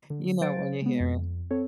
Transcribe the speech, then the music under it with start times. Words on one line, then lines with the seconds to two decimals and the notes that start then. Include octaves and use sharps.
You know it when you hear it.
0.10 D3
0.41 F#3 C5 F5 A6 D7
0.82 G#3 B3
1.00 F2
1.51 C4 A4 C#5